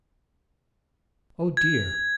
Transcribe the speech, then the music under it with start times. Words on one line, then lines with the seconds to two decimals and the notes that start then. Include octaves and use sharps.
Oh dear!
1.57 G#6